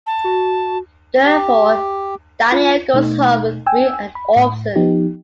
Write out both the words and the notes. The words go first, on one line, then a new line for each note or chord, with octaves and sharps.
Therefore, Danielle goes home with Bree and Orson.
A5
F#4
G4
F4
B2 A3 D#4
G5 G#5 E6
B5
A2
F3 B3 D#4 G4